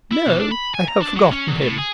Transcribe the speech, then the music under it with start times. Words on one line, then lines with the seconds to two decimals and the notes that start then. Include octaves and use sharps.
"No, I have forgotten him."
0.13 E4
0.27 B1
0.40 D4
0.52 B5
0.74 G#5
0.88 A#5
1.01 D4
1.16 F#3
1.32 C#4
1.48 E2
1.62 A2
1.78 G#4